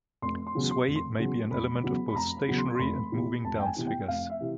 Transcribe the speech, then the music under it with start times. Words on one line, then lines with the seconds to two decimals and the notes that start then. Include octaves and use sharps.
Sway may be an element of both stationary and moving dance figures.
0.22 F1 C6
0.47 C6
0.55 E2 C#3 F#3
0.71 C6
0.87 F1
0.96 C6
1.19 E2 C#3 F#3
1.51 F1 B5
1.84 E2 C#3 F#3
2.09 B5
2.15 F1 A#5
2.37 B5
2.48 E2 C#3 F#3
2.58 C6
2.75 C6
2.79 F1 B5
3.12 E2 C3 E3
3.44 F1 A5
3.60 G5
3.65 G#5
3.76 E2 C3 E3
3.87 G5
4.08 F1 F5
4.30 E5
4.40 C3 E3